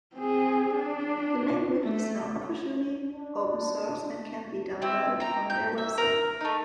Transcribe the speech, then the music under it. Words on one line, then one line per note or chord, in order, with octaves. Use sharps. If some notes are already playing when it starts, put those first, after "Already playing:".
The language is now officially open source and can be downloaded from their website.
C4 G#4
D4
A3
D4
C4 E4
G5 A#5
G6
E5
A#4
A3 D#4